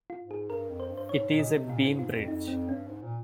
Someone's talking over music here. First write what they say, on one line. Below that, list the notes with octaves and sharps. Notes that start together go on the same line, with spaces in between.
It is a beam bridge.
F4
G#2
G#4
G2 A#4
F2
C5
G2
C5
G#2 C#5
A#2
D#5
C3
A#2 F4
G#2
G#2 F4
F2
F2 D#4
F2 C4
G2 C#4
G#2
A#2